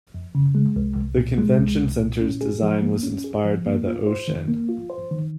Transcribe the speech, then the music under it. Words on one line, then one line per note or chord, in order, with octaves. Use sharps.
The Convention Center's design was inspired by the ocean.
F2
C#3
G#3
C2
C2
A#2
G#3
C2
C2
A#2
C#4
G#4
F3
A#3
C#4
G#4
F3
A#3
F4
C5
D#3
A#3
F4
C5
D#3